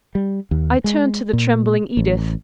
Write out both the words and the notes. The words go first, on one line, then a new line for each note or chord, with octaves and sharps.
I turned to the trembling Edith.
G3
D#2
G#3
A#2
A1